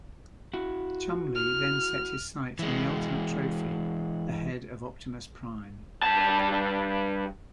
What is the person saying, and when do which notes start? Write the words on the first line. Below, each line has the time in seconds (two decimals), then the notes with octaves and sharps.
Cholmondeley then set his sights on the ultimate trophy, the head of Optimus Prime.
0.54 E4 F#4
1.35 F6
2.59 E3 G#3
6.03 G2 A5